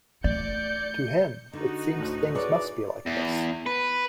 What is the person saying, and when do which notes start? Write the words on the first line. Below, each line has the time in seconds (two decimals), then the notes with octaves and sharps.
To him it seems things must be like this.
0.24 A3 D5 G6 C#7
1.53 D3 D#4 F#4
1.98 D2 A2
2.35 E4 G#4 B4 C#5 D5
3.06 E2
3.66 B4